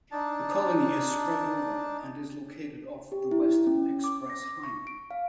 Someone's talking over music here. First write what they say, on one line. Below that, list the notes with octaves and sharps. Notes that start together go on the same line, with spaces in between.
The colony is spread over and is located off the Western Express Highway.
D4 D#4 A5
G4
E4
C#4
D6
A#6
C#6
D7
F5